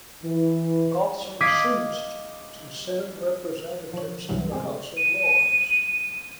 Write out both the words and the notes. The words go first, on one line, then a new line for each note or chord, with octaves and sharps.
It also ceased to send representatives to the House of Lords.
E3
D#5 F5 D6 G#6 B6 C7
F3 C#5
C2 G2 E3 F#3
G#3 C4 G4 G#4
D#7